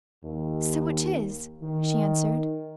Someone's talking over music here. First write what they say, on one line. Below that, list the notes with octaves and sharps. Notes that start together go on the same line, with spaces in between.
"So it is," she answered.
D#2
D#3